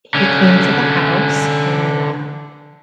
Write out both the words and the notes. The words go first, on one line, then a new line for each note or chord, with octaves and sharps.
he came to the house, and, um
D3 C#4